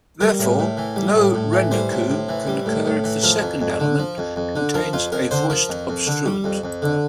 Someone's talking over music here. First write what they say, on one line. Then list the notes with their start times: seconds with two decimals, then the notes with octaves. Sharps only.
Therefore, no "rendaku" can occur if the second element contains a voiced obstruent.
0.21 G3 A#4
0.39 A2
0.59 A2
0.77 E3
0.96 G3
1.15 A2
1.34 A2
1.53 E3
1.71 G3 C5
1.91 A2
2.10 A2
2.29 E3
2.47 G3
2.66 A2
2.85 A2
3.04 E3
3.23 F3 A#4
3.42 F2
3.61 F2
3.80 D3
3.99 F3
4.18 F2
4.36 F2
4.56 D3
4.74 F3 A#4
4.93 F2 F4
5.12 F2 A#4
5.31 D3 C5
5.50 F3 A#4
5.69 F2
5.88 F2
6.07 D3
6.26 G3
6.44 F2
6.64 F2
6.82 D3